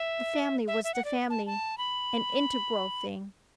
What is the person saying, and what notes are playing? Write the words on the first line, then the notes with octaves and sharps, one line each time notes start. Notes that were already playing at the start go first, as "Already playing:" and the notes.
The family was the family, an integral thing.
Already playing: E5
E5
E5
F#5
D5
A5
A5
B5